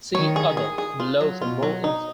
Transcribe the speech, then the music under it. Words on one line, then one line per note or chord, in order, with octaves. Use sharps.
See "Other" below for more info.
D#3 C#5
G#4
G#4
G#4
F4
F#3
B2 F4
F#3
D#4